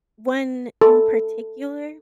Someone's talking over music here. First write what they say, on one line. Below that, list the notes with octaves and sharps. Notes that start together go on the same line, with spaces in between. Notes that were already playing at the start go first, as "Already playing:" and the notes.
one in particular,
A4